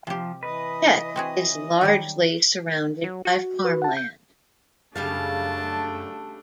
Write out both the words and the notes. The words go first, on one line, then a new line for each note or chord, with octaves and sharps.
Hett is largely surrounded by farmland.
C3 F3 G4
E3 B4 D#5
C4 F#4 G#4
D#3 F#3 G3
F#3
F#4
B4
F#5 A5
G6
F#2 C#3 G3 A3 D4 F5 A5